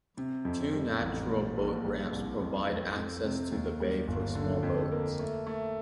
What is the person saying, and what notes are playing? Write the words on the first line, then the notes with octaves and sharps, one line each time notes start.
Two natural boat ramps provide access to the bay for small boats.
C3
F2
G3
A1
A#2
A#1
G3
C2
F2
F2
F2
C3
D#2
G3
G1
D3
F2
A#3
A3
A3